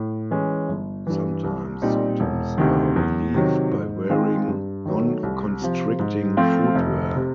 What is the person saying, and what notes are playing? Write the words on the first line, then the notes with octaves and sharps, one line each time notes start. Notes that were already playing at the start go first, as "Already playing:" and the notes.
Sometimes symptoms are relieved by wearing non-constricting footwear.
Already playing: A2
E3 G#3 C#4
G1
G2 E3
C2
A#2 G3 C4 D#4
E1
D2 C3 D#3
E2
C3 D#3 F#3
G#2
D#3 G#3 C4 F4
G2
D#3 F#3 A3
C2
C3 F3
G#2
F3 A3 C4 F4
F1
C3